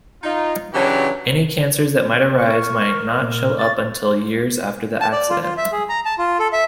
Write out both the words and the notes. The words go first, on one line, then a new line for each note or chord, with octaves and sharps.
Any cancers that might arise might not show up until years after the accident.
D#4 F4
C#3 E3 F#3 D4 F#4 G4
A#4 C#6
D#5
A#2
C#6 A6
A5
D5
F4
F4
E5
G#4
A#5
A5
F4
A4
E5